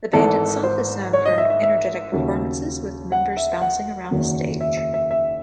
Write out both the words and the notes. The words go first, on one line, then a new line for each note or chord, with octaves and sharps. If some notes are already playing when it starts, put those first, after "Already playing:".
The band itself is known for energetic performances, with members bouncing around the stage.
G#1 G#2 E3 A4
C5
C#5
D#5
E5
E5
E5
D#2 C#3 F#3
F#5
E5
F#5
F#1 E2 D#3 F#3
E5
E5
E5
E5